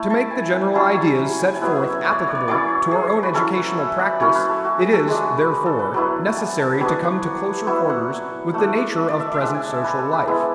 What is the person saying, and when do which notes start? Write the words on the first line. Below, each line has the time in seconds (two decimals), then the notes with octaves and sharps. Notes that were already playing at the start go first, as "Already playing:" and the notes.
To make the general ideas set forth applicable to our own educational practice, it is, therefore, necessary to come to closer quarters with the nature of present social life.
Already playing: A3 E4
0.10 A5
0.31 G#5
0.53 G#5
0.74 F#3 C#4 E4 A5
0.96 G#5
1.39 G#5
1.56 G#5
1.61 F#3 B3 E4 F#5
1.83 E5
2.05 C#5
2.12 D5
2.19 C#5
2.28 D5
2.35 C#5
2.48 F#3 C#4 E4 C#5
2.91 G#4
3.23 B4
3.34 F#3 C#4 E4 A4
3.78 E5
3.99 D5
4.20 F#3 C#4 E4 C#5
4.35 B4
4.50 A4
4.64 F#4
4.79 G#4
4.93 A4
5.07 G#3 D4 G#4
5.22 F#4
5.37 B4
5.52 B4
5.66 A4
5.79 B4
5.94 F#3 B3 E4 B4
6.38 G#5
6.60 A5
6.80 F#3 B3 D4 G#5
7.03 F#5
7.67 F#3 B3 E4 E5
7.90 F#5
8.54 A3 D4
9.09 D5
9.20 E5
9.34 E5
9.41 G#3 D4 F#5
9.55 G#5
9.69 E5
9.84 B4
9.99 A4
10.13 B4
10.27 G#3 B3 E4